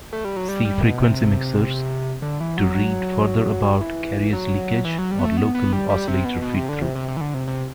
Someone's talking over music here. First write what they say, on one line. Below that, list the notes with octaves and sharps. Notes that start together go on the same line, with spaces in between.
See frequency mixers, to read further about carrier leakage or local oscillator feedthrough.
A3
G3
F#3
G3
G3
B2
C3
D3
E3
F#3
F#3
E3
F#3
E3
F#3
G3
B3
A3
B3
B3
G3
G3
C3
B2
B2
C3
D3
C3
C3
C3
E3
D3
C3
C3